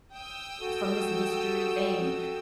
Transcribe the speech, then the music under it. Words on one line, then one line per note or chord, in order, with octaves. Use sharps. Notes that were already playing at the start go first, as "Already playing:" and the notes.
from this mystery thing."
G5 D#6 E6
F#4 A4